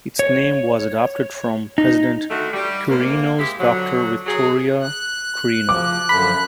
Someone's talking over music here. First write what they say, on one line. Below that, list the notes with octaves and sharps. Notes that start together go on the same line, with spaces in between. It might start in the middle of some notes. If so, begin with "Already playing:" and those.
Its name was adopted from President Quirino's daughter Victoria Quirino.
C#5
D#4
D3 D#3 A3 F#4
G3
G#2 C3 A#3
G#3 E4 G4
F2 D3 F#3
F#3 G#4
F#6
F3 D6
F#2 D3 F3 B5